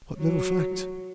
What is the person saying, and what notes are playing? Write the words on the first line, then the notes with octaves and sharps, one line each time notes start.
"What little fact?"
F#3